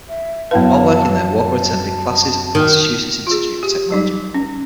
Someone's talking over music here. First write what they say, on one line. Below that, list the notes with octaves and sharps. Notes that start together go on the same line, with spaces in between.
While working there Walker attended classes at the Massachusetts Institute of Technology.
E5
F#2 B3 E4 B4 F5 A5
D#3
F4 G#4
G4
F#3 G3 D#4
C#4